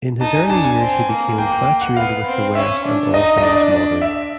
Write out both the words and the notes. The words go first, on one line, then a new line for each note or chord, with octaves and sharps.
In his early years he became infatuated with the West and all things modern.
D#4 A5
G#5
D4 A5
G#5
C4
A#3
A#3 G5
G5
F#5
B3 F5
C4
C#4 E5
D4
D#4 D#5
D#5
D4 D5
D5
E5